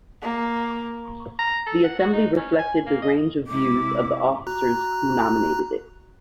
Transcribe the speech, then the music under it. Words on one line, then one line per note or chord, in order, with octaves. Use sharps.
The assembly reflected the range of views of the officers who nominated it.
A#3
A#5
A4
F#5
F#4
D#4
C#4
G#5
A#3
D#5
C3 G#3 E4 D6
F#4 A#5 F#6